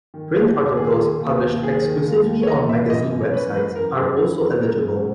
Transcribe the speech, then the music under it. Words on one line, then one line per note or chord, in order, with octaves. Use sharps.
Print articles published exclusively on magazine websites are also eligible.
D#3
D#2
D#2
D#3 G#4
D#3
D#2
D#2
D#3 G#4
D#3
D#2
D#2
C#5
E3 D#5
E3 E5
F#2 D#5
F#2
C#5
E3 B4
E3 B4
F#2 A#4
F#2 G#4
E3
E3
F#2 A#4
F#2